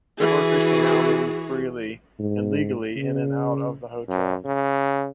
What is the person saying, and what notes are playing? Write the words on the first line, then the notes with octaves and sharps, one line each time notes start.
Workers can now move freely and legally in and out of the hotel.
E3 F#4 G#4
G#2
C#3
F#2
C#3